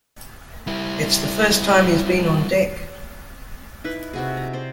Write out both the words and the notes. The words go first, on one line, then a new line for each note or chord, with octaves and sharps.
It's the first time he's been on deck.
G3 E4
D#4 E4 B4
C3 F#4 G#4
A#5
C5 D5 G5